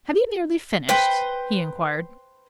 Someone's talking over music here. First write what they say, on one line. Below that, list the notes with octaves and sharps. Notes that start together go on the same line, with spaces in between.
"Have you nearly finished?" he inquired.
B4 C5 G5